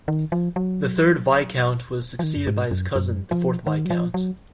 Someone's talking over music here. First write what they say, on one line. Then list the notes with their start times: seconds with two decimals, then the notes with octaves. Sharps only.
The third Viscount was succeeded by his cousin, the fourth Viscount.
0.08 D#3
0.32 F3
0.56 F#3
2.19 F3
2.23 D#3
2.36 F#2
2.47 G#2
2.71 F#2
2.95 F#2
3.31 F3
3.67 D#3
3.85 F#3
3.90 F3
4.14 F#3